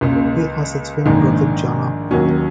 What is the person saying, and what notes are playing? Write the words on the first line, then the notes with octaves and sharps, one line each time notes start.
He has a twin brother, Jono.
C#2 C#3 A#3
A#1 G#2 D#3 A#3
D#2 D#3 F#3 C#4